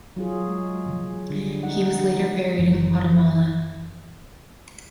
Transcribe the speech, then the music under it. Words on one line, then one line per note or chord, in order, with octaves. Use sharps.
He was later buried in Guatemala.
F#3 F4 G#4
G#3
D3 G3
D#4 F#5
F#1 E3